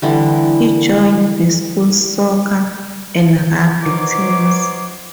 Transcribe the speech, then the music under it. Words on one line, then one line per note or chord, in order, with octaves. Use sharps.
He joined the school's soccer and rugby teams.
D3 E3 G3
B3 D#4 F4 C5 C#5 D6